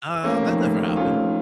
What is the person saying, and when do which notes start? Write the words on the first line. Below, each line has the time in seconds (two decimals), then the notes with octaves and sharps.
"Uh, that never happened."
0.23 F1 A#3 C#4
0.43 F2 D#3
0.60 F1
0.79 F2 D#3
0.96 F1 C#4 F4
1.15 F2 D#3